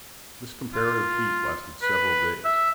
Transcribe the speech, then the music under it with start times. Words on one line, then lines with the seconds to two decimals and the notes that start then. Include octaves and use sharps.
This comparative heat lasted several days.
0.74 F4
1.82 B4
2.45 E5